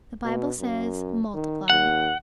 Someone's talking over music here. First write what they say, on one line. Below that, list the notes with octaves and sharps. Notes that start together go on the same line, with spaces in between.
The Bible says: Multiply.
B2
F#2
D#3
D#2 F#5